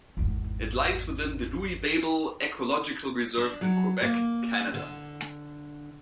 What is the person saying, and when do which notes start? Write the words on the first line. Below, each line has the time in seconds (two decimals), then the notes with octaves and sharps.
It lies within the Louis-Babel Ecological Reserve in Quebec, Canada.
0.17 G#1 E2
3.38 D4
3.61 F#3
4.02 A#3
4.74 D3